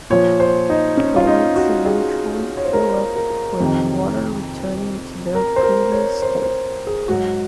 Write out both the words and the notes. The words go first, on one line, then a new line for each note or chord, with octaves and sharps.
The lakes eventually fill up with water returning to their previous state.
A#2 F3 C#5
C5
D#4
C#4
F4
D#4
F#4
G#4
C#5
C5
A#4
A#4
F2 C3 D#3
A#4
C5
A#4
C#5
C5
C5
G#4
G#2 F#3 F#4